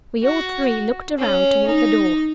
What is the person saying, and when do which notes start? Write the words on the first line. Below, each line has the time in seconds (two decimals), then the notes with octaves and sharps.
We all three looked around toward the door.
0.23 F#4
1.19 C#4
1.67 D#4